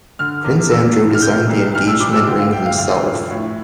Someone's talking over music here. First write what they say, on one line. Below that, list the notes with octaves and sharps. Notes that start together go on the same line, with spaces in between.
Prince Andrew designed the engagement ring himself.
D3 F6
E2
E2 E6
F3
F6
C3 G6
C2
C2 F6
E6
F3 D6
E6
D3 G5
F5
D2 G5
F5
D2 F5
F3
A2